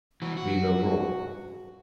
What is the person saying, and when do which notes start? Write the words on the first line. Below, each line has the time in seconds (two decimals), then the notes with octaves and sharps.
We were wrong.
0.22 E3 F#4
0.37 F#4